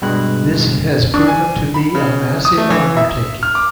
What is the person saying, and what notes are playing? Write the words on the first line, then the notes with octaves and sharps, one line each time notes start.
This has proven to be a massive undertaking.
G2 B2 G#3 F#6
D4
G#5
B5
C#3
D#6
A3
E3
E5
F6
D6